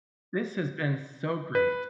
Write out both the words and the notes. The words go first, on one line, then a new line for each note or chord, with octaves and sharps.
This has been so great.
B4